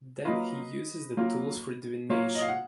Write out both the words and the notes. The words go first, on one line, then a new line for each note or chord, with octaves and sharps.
Then he uses the tools for divination.
F#3 A#3 F4 B4 D#5
F#3 A#3 F4
F#3 A#3 F4 C#5 F5
D#5
F5
F#5